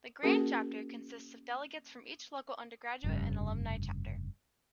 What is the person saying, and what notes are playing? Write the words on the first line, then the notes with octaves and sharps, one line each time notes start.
The Grand Chapter consists of delegates from each local undergraduate and alumni chapter.
A#3 C#4 F#4 G#4 A#4
F1 G2 C#3